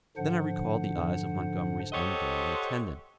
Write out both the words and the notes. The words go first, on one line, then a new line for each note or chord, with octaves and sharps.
Then I recalled the eyes of Montgomery's ungainly attendant.
G#2 D3 F3 D4 C5 F#5
G4 A4 C5 C#5 D#5 F#5